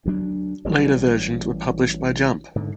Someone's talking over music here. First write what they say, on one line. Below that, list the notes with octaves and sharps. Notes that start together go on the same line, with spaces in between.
Later versions were published by Jump!
D2 F#3 D4
A1 E3 F#3 G3
G#2 D3